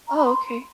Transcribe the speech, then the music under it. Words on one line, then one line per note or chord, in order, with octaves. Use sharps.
Oh, okay.
A#5
B5
C6